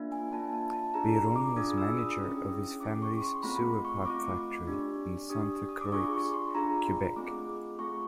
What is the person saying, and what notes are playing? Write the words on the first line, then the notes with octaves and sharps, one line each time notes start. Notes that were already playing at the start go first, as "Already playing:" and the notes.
Biron was manager of his family's sewer pipe factory in Sainte-Croix, Quebec.
Already playing: A#3 D4 F4
G#5
A#3 D4 F4 A5
A5
A5
D4 F4 G#4 A#5
A#5
D6
D4 F4 G#4 D#6
E6
D#6
C#4 E4 G#4 D#6
C#4 E4 G#4 D6
C#6
C#6
C6
A3 C4 F4 B5
C#6
A3 C4 F4 D6
D4 G4
D4 G4 D#6
D#6
D6
D4 F4 G#4 C#6
C#6
C6
D4 F4 G#4 A#5
A3 C4 F4 G#4 D6
A3 C4 F4 G#4 C#6